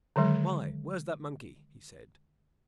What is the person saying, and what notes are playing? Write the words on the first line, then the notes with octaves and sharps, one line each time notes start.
"Why, where's that monkey?" he said.
D3 D#3 F#3 G#3